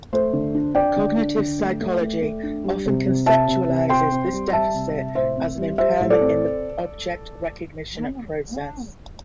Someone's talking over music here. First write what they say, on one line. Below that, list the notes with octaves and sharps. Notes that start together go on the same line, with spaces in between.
Cognitive psychology often conceptualizes this deficit as an impairment in the object recognition process.
A3 C5
D3
D4
D4 D5 G5
D3
D4
D3
A3
A3
A3
A3
D4
G3
C3
C3
C3 E5 A5
C3
C3
C4 G5 C6
C4
G3
G3 E5 A5
C3
C3
A2 C5 E5
C4
G3
G3 C5 E5
A2
A4 D5
C4